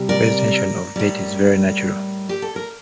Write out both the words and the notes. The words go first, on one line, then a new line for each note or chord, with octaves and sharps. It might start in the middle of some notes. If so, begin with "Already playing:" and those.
Presentation of bait is very natural.
Already playing: C3 G3
A#4 D5
A2 G3
G4
A4
A#4